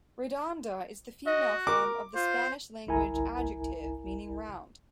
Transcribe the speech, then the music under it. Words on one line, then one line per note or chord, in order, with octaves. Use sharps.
"Redonda" is the female form of the Spanish language adjective meaning "round".
F#4 D#5
A#4 D6
F4 C5
G1 C2 E4 A#4 G#5 A#5